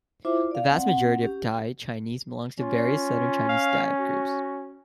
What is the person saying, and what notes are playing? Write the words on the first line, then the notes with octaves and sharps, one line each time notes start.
The vast majority of Thai Chinese belong to various southern Chinese dialect groups.
E4 F4 C5 E5 D6
D5 F5
C4 F#5
C#4 G4
C#4 F4
F5
F#4